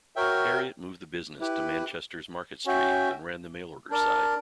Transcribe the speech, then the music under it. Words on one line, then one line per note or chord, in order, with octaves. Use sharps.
Harriet moved the business to Manchester's Market Street and ran the mail order side.
F#4 A#4 C#5 E5 G5
E4 G4 B4
C#4 F#4 C#5 E5 G5
D4 A#4 D5